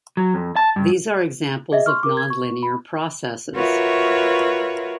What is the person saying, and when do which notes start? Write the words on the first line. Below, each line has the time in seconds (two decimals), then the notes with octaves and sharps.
These are examples of nonlinear processes.
0.17 F#3
0.34 F2
0.56 A5
0.76 G2
1.72 G#4 D#5 E5
1.86 C6 C#6 F6
2.03 A#4 D6
2.17 G#6
2.30 C#6
2.63 B5
3.55 F4 F#4 A#4 B4 C#5 E5